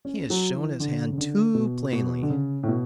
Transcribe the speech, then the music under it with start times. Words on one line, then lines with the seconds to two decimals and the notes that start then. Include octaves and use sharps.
He has shown his hand too plainly.
0.05 C#4
0.30 F#3
0.55 E3
0.80 D3
1.13 C#3
1.18 D3
1.55 B2
1.93 B2
2.23 D3
2.30 C#3
2.63 A2
2.68 B2